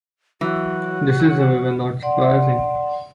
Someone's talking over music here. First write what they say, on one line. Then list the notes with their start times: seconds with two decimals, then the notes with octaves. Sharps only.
This is, however, not surprising.
0.41 E3 F#3 F#4
1.19 F#3 F#5
2.03 D5 F#5 C6